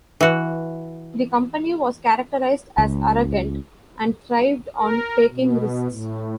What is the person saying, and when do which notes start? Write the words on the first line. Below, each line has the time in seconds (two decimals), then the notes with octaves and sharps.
The company was characterised as "arrogant", and thrived on taking risks.
0.21 E3 F#4
2.78 C#2
4.77 A#4
5.28 B2
5.89 A2